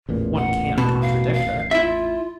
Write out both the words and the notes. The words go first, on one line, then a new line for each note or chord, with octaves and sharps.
One can't contradict her.
A1 E2 A#2
F#5
B2 A5
F5
F5
E4 F4 E5